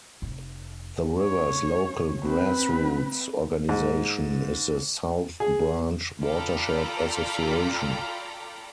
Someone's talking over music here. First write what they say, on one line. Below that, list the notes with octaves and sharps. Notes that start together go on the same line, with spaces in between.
The river's local grassroots organization is the South Branch Watershed Association.
F1
C#5
C4 B4
G#2
G#4
F4 A4 D5 G5 A#5 B5